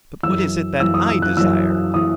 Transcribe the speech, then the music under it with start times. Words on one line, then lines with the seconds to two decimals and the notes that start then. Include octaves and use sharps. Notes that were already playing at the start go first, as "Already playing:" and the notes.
But what is it that I desire?
0.23 F#2 E3 E6
0.80 F#2 E3 E6
0.94 D#6
1.09 E6
1.22 F#6
1.37 F#2 E3 E6
1.94 E3 D#6